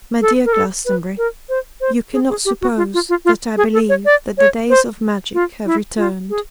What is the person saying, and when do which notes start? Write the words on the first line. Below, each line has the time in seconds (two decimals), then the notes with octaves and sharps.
'My dear Glastonbury, you cannot suppose that I believe that the days of magic have returned.
0.21 A4
0.45 A#4
0.53 A4
0.85 B4
1.18 A#4
1.49 C5
1.81 C5
2.13 G#4
2.29 G#4
2.45 G4
2.61 F#4
2.77 F4
2.94 F4
3.09 F4
3.25 F4
3.57 G#4
3.73 A4
3.89 C#5
4.05 D5
4.38 C#5
4.70 C5
5.34 F4
5.66 E4
5.97 F4
6.30 G#4